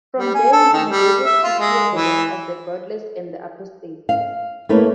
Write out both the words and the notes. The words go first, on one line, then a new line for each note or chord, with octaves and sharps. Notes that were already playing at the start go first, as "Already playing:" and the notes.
From there he endeavored to clear the land of "the godless and the apostate".
G3
G#5
A4
D#3
G3
E5
F4
G#3
E3
F5
A3 A#3 E4 B4 C#5